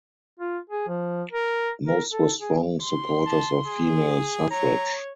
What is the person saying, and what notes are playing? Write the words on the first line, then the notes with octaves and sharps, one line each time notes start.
Most were strong supporters of female suffrage.
F4
G#4
F3
A#4
A#4
A4
G#4
C6
A5
G#4
C#5 A#5